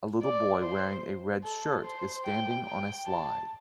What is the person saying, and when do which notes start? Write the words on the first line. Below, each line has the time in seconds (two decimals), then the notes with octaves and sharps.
A little boy wearing a red shirt is standing on a slide.
0.22 D5
0.62 C5
1.44 A4
1.84 C5
2.25 G5
2.67 G5
3.07 A5